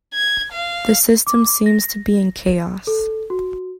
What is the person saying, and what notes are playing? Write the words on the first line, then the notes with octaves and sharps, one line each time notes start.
The system seems to be in chaos.
G#6
F5
D6
A#6
A4
F#4